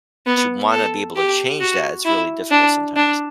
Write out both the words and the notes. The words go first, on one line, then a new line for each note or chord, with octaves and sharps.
to wanna be able to change that, it's really difficult sometimes.
B3
A4
G4
F#4
E4
D4
D4